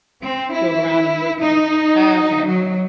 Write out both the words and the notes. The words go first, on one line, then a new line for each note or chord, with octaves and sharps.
drove around and you were co Oh, okay, okay.
C4
E4
D#4
F#3